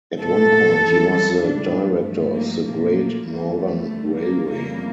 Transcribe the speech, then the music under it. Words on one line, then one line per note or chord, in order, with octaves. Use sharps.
At one point he was the director of the Great Northern Railway.
A#2 A3 A4
F2 E3 G3
A4
A2 G3 D4
G2 F3 A3
A#3
A#2 F3 A3 A#3
E2 E3 G3 A#3
A3
D2 D3 G3
A#3
F2 C#3 E3 G3 A#3